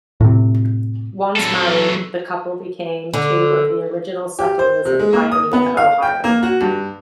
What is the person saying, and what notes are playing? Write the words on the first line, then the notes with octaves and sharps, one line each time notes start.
Once married, the couple became two of the original settlers of Pioneer, Ohio.
A2 C3
F#3 A4
D3
G4
C5
C3
G#3
A#3
D#6
B3
F5
G5
A#3
F#4
G2